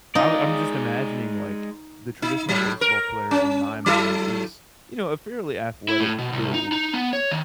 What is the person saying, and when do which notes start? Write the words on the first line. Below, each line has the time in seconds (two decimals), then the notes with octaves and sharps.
I'm I'm just imagining, like, the traditional baseball player in my mind is, you know, a fairly athletic build,
0.15 G#3 D#4 F4 D5 D#5 F5
2.22 D#4
2.49 A2 F#3
2.81 A#4
3.31 C#4
3.86 F#3 E4 A4
5.89 E4
6.00 A2
6.19 B2
6.32 C2
6.54 D#4
6.72 D#4
6.93 B3
7.13 C#5
7.31 D#3